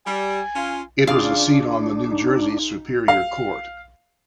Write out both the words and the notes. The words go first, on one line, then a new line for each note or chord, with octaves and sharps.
It was a seat on the New Jersey Superior Court.
G3 G#5
C#4 F4
C#3 D4 F4 D5 F5 D#6
D#4
F5